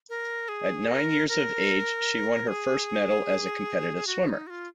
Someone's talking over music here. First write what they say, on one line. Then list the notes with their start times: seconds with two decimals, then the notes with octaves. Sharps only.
At nine years of age, she won her first medal as a competitive swimmer.
0.09 A#4
0.49 G#4
0.89 A#4
1.29 A#4
2.48 G#4
4.07 F#4
4.27 D#4
4.47 F#4
4.50 F4